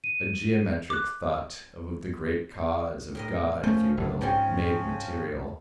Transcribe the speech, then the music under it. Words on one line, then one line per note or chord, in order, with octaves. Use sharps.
A geometric thought of the Great Cause, of God, if you will, made material.
D#7
D6 F#6
A2 A#4 D#5
F3 A3 C#4 C5
F#1 A3 D4
G#2 F3 G3 C4 C#4 G4 C6